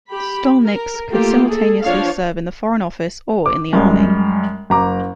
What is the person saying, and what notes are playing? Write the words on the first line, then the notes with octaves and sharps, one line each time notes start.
"Stolniks" could simultaneously serve in the foreign office or in the army.
G4 B5
A#4
A3 A#3 F4 G4
G#4 A4
F3 D4 C#5 F5
D6
F#2 G3 G#3
F#1 A#5 D6